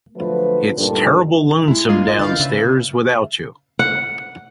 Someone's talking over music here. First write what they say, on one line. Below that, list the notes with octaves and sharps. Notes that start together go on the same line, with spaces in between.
It’s terrible lonesome downstairs without you.
D3 F3 F#3 A3 B4
D2 G2 A#2 D4 D#4 A4
G#3 E4
G#3 A#3 F4 C6
D#5
D3 E4 B4 F5 G6 A6
C#3 B4 E5 F5
F#5